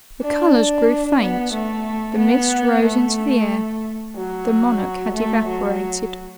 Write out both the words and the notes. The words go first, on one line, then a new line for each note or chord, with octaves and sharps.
The colors grew faint; the mist rose into the air; the monarch had evaporated.
D4
B3
A3
B3
A3
F#3
A3
F#3